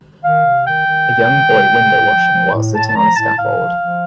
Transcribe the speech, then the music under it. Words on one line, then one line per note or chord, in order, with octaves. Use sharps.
A young boy windowwashing while sitting on a scaffold.
D#3 F5
C3
D#3 G5
D#3
C3
D#3
C3
C3
A2
F3
F3
A2
A2 A5
A5
F3 A#5
A2 A5
A2 F5
F3
F3